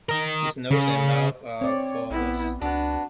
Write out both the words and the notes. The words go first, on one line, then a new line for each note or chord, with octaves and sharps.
His nose and mouth are faultless.
A#4 D#5
C#3
C4 C#5 D5
A#1 B3 E4
C#2 B3 D4 F#4